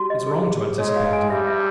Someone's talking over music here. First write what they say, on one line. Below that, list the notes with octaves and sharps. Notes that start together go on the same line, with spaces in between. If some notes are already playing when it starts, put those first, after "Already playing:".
'It's wrong to anticipate evil.
Already playing: G3 F#4
D#5
G#4
G#4
G#4
G#3 C#5
F5
G#5
G3 E5
E5